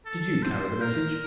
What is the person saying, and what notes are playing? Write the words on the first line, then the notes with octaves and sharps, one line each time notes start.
"Did you carry the message?"
A4
C5
A#4